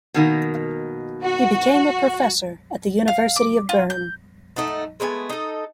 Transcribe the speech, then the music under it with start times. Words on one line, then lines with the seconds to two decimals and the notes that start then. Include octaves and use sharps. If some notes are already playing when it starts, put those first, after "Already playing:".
He became a professor at the University of Bern.
0.14 B2 D#3 A#3
1.24 F#4
3.08 F5
3.36 D6
3.69 F4
3.90 G6
4.56 A3 D#4 F#5 A5
5.00 G#3 A3 B3 G#5
5.30 D#4 A4